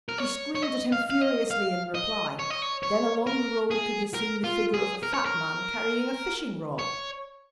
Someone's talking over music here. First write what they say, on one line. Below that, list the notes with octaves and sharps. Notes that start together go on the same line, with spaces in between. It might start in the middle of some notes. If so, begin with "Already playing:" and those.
She screamed at him furiously in reply. Then along the road could be seen the figure of a fat man carrying a fishing rod.
A#4
C#5
C#5
D#5
F5
F5
D#5
F5
D#5
C#5
D#5
C#5
C#5
A#4
G#4
A#4
F4
G#4
A#4
C#5
A#4
C#5